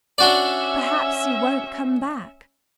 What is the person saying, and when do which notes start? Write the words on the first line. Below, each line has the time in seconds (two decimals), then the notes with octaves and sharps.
"Perhaps you won't come back?"
0.18 C#4 D4 F#4 D5 E5